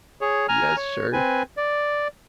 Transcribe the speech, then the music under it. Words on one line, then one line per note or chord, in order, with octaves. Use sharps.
"Yes, sir."
G#4 C#5
G#5 A#5 F6
C#5
C4 B4 G#5
D5